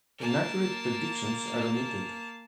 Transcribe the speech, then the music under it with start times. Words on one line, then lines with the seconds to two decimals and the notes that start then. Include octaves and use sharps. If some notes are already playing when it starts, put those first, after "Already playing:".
Inaccurate predictions are omitted.
0.18 A#3 A5